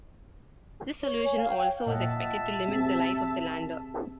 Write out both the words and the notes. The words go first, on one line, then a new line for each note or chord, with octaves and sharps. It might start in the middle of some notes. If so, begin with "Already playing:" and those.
This solution also was expected to limit the life of the lander.
C#5
G#5
F5
G5
A#2 D#5 E5 F#5 A5
C4 G4 G#4